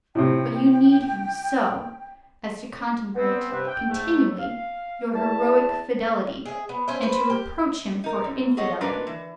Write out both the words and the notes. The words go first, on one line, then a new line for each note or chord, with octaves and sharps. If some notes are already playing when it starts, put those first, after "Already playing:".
But you need him so as to contemplate continually your heroic fidelity and to reproach him for infidelity.
A2 C3 G5
B3 C4
G2 C3 B4
G5
G#2 A3
F5
E2 A3 E5 A5
G#4 E5
B3
C#4 C5 E5
B4 C5
G4
D#4 A#4
F#2
G#4 A4 C#5 D#5 F#5
G#3 D4 F#4 A#4 B4 D5
E3